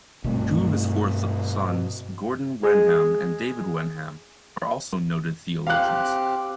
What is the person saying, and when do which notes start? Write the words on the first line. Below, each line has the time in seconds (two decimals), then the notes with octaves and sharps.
Two of his four sons Gordon Wenham and David Wenham are also noted theologians.
0.24 G2 B2 A3 C4
2.63 G#3
5.67 C4 G4 F5 F#6